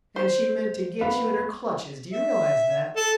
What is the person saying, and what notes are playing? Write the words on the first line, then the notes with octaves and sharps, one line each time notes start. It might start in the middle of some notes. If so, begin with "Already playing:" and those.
"And she meant to get you in her clutches, do you realize that?"
C5
B3 F5
E5
A4